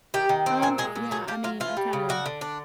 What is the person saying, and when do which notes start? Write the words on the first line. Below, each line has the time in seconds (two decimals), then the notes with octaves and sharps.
Um, yeah, I mean, I kinda
0.14 D#3 G4
0.29 D#3
0.46 C4
0.62 A#2 G#4
0.78 G#3 G#4
0.96 A#2
1.11 F#3 G#4
1.28 A#3 G4
1.44 F#3 F4
1.60 E3 F4
1.77 G3
1.93 C#3
2.09 D4 F#4
2.26 D3
2.41 D4